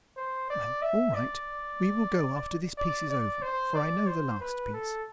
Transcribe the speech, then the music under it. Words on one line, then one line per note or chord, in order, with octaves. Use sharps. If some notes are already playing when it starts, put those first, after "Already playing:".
"Well, all right; we will go after this piece is over, for I know the last piece."
C5
D5
E5
D5
D5
D5
C5
D5
C5
B4
A4